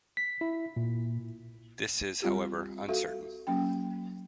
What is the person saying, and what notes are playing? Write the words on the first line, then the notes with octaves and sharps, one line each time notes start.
This is however uncertain.
B6
E4
A#2
G3 C4 F4 G4
F#4 A4 E5 F5
F#3 A#3 C#4 G5